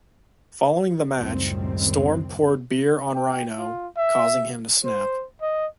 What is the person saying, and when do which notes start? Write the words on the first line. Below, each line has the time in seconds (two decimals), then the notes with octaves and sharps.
Following the match, Storm poured beer on Rhino, causing him to snap.
1.20 C#2 F#2 A2 D#3 G3 C4
3.15 G5
3.58 F4
3.97 E5
4.85 C5
5.42 D#5